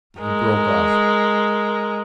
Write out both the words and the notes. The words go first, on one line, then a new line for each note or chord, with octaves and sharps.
He broke off.
G#3 A#4